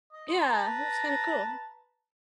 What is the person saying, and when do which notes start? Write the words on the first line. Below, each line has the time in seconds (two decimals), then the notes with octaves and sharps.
Yeah, that's kind of cool.
0.12 D#5
0.30 C6
0.49 B4 A5 A#5